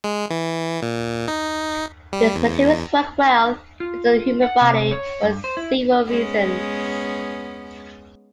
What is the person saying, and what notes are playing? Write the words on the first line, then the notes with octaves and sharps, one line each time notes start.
These materials work well within the human body for several reasons.
G#3
E3
A#2
D#4
G3
E2
F4
F#5
C3
C#5
G2
C5
E4
G#3 B3 C#4